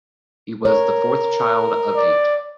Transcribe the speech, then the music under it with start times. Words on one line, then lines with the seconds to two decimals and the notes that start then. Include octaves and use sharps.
He was the fourth child of eight.
0.65 A#4 C#5
1.96 D5